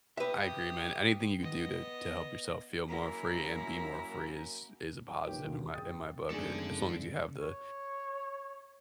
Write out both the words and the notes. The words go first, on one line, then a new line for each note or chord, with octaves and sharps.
I agree, man. Anything you could do to to help yourself feel more free and be more free is is a positive in my in my book, a as long as you have the
G4 B4 E5 D#6
B3 D#5
F#2 A#3 E4 A#5
A#1 D#3 G4 B4 C#5 D7
D#2 B2 D3
F#1 G#4 G5 D#6 A6
G#1 F#2 A3 D4 G#4 A4 D5
C#5